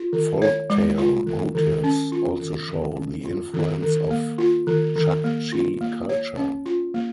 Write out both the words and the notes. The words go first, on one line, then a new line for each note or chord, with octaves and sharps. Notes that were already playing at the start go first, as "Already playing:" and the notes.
Folktale motifs also show the influence of Chuckchi culture.
Already playing: F4
D#3
C#5
G#3
F4
D#3
D#3
C#4
F4
D#3
D#3
C#4
F4
D#3
D#3
A#3
F4
D#3
D#3
A#3
F4
A#3
C#5
C#4
F4
A#3